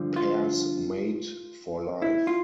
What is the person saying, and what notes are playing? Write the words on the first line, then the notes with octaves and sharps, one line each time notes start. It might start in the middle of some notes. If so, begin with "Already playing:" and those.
Pairs mate for life.
Already playing: G2 D3 F3
F4
E4
F4